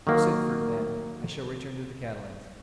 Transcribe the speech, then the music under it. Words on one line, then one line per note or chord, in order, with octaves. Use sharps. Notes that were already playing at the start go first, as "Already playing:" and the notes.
"No," said Fernand; "I shall return to the Catalans."
D#3 F#3 A#3